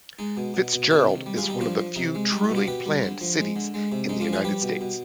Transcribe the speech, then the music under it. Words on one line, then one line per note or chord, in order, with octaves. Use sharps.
Fitzgerald is one of the few truly planned cities in the United States.
G#3 D#4
B2
B2
B2
C3 D4 F4
D#3
G3
F4 G#4
G3
D#4 G4
F3 D4 F4
F3
C3 D#4
G#3
G3 D#4
D#4
B2
D4 F4
B2 G4 B4
G3
D3
F3
G#3
D3
G#3
C3
G#3 D#4
D4 F4
F3
F4 G#4
G3 G4 B4
B2
B2